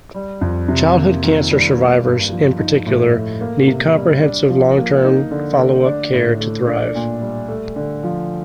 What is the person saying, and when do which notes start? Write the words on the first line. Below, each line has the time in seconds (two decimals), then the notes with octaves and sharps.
Childhood cancer survivors, in particular, need comprehensive long-term follow-up care to thrive.
0.14 G3
0.41 F2
0.68 C3
0.96 A#3
1.23 D#3
1.50 G3
1.77 A#3
2.05 G2
2.32 F3
2.59 D#4
2.86 A2
3.13 A3
3.41 A#3
3.67 C3
3.95 G3
4.22 D4
4.49 F3
4.77 A#3
5.04 D#4
5.31 D3
5.59 A3
5.85 D4
6.13 A2
6.40 A3
6.67 D4
6.95 A#2
7.21 G3
7.48 A3
7.76 D3
8.03 F3